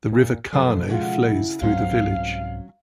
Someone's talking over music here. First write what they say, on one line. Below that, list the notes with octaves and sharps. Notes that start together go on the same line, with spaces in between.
The River Carno flows through the village.
A#2
F#2 B2 F3 A4 C5
C#3 G#3 F4 F#4
E4
C2 G#2 F#3 C4 C#4 F5